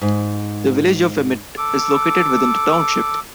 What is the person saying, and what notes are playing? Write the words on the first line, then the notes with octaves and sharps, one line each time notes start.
The village of Emmett is located within the township.
G#2
A4 D6